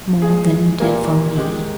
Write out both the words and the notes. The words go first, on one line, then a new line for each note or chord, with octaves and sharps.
"More than you did for me?"
A#2 G#3 G#4
A#2 G3 A#3
D#3 G#3 G4